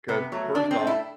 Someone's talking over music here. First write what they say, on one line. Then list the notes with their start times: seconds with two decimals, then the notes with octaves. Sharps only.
'cause first off,
0.08 C3 B3
0.32 F#3 A3
0.55 D3 D4
0.71 C4
0.79 A3
0.87 E4